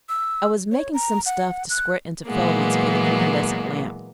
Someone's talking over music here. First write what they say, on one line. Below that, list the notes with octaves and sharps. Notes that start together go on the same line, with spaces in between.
I was making some stuff to squirt into filaments for the incandescent lamp.
E6
C#5
A#5
F#5
F#6
A#2 E3 F#3 G#3 A#3 B3